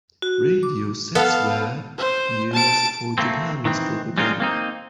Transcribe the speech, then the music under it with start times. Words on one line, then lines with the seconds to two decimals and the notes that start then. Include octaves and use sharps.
Radio sets were used for Japanese propaganda.
0.22 F#4
0.63 D6
1.15 B3 A4 F5
1.98 C5
2.53 A5 D7
3.18 A3 A#3 C4
3.65 D#3 E3 C4
4.18 G3 G#3 C4 D#4 F4
4.40 A#3 C4 D#4